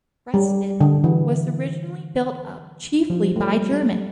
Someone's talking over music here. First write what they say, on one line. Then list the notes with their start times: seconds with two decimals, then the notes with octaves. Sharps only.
Creston was originally built up chiefly by Germans.
0.34 G3
0.81 D3
1.04 E3
3.10 F3
3.36 A3
3.40 G3
3.71 A3